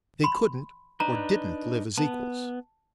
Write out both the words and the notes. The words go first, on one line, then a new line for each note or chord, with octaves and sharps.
They couldn't or didn't live as equals.
B5 C6
D4 D#4 B4 A#5
B3 A5